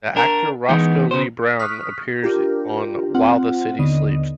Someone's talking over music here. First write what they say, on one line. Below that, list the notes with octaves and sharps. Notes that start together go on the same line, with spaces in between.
The actor Roscoe Lee Browne appears on "While the City Sleeps".
D4 A#4
E3 G#3 B3 D#4
C#3 C5
C#6 D#6 F6 F#6 B6
D4 F4 G4 A#4
C4 F4 F#5
D#2 D3 B3 D#5